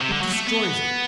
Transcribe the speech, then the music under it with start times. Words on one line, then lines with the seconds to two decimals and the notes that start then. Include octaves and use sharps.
What destroys it?
0.01 C3
0.11 D3
0.21 F#3
0.32 A3
0.47 B3